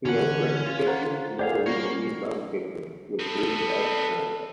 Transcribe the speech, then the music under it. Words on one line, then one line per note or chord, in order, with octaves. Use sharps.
He has written fiction, and more recently, non-fiction, with "Dreaming up America".
D3 E3 C#4 F#5
F4
C5 F#5 A#5
G4 G#4 C5 D5 F5 F#5
G3 A#3 C#4 C#5
B3 C4 A4